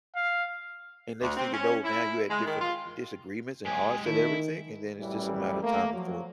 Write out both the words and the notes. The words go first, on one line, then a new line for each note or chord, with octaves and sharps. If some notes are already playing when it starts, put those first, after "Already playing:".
and next thing you know, now you had different disagreements and odds and everything, and then it's just a matter of time before the
F5
D2
C4
C#4
E4
G#3
D#3
F4
G#3 G4 G#5
D#3 A3 E4
A1 F#2 E3 G3
A3 A#3
F3 F#3